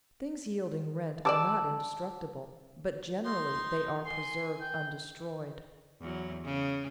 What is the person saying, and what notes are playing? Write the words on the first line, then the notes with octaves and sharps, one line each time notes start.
Things yielding rent are not indestructible, but generally they are preserved undestroyed.
G3 G#3 D5 A5 D6 E6
D#4 C6
G#5 C6
G5
E2 F#3
C#3